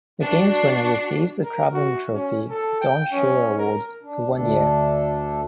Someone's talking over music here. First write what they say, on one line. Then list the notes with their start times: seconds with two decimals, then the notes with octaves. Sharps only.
The game's winner receives a traveling trophy, the "Don Shula Award," for one year.
0.23 D4 F#4 C7
1.43 A#4
1.73 F#4
2.14 C#4
2.50 A4
2.81 G5
3.12 C#4
3.58 A#4
4.03 D4
4.31 D2 D4 A4